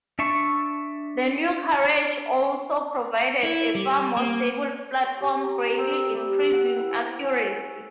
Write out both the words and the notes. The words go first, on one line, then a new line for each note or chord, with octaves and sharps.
The new carriage also provided a far more stable platform, greatly increasing accuracy.
D4 E5 A5 C#6
E4
G3
A#3
C#5
G4
A#5
C4
G3
F#5
E4
C#4